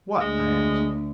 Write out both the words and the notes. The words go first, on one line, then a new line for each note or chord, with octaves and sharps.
"What?" I asked.
D2 G#3